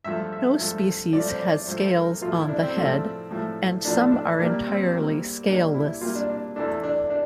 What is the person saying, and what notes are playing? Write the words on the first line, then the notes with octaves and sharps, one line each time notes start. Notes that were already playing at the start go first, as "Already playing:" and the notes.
No species has scales on the head, and some are entirely scaleless.
G2 F3 A3 E5
E5
G2 F3 A3
G2 F3 A3 D5
C5
D5
D5
G2 F3 A3 C5
A#4
A2 F3 A3 F4
E4
D4
C4
A2 F3 A3
A2 F3 A3
A2 F3 A3 D4
D4
A#2 G3 A#3 D4
C4
A#2 G3 A#3
A#2 G3 A#3 D4
E4
A#2 G3 A#3 F4
D4
D4
E2 E3 A3 D4
D4
D4